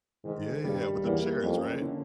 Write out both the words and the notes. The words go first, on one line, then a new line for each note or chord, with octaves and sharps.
Yeah, yeah, with them chairs, right?
G#2 D#3
G2 G3
E2 A#3
F2 C#4
D3